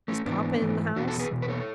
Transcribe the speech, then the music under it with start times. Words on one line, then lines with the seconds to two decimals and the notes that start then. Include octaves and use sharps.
"Is papa in the house?"
0.08 A3 C#4
0.26 G#2 E3 B3 D4
0.61 G#2 E3
0.96 E2 D4 F#4
1.00 B2
1.07 F#4 A4
1.19 G#4 B4
1.31 E2 B2
1.42 B4
1.48 A4 C#5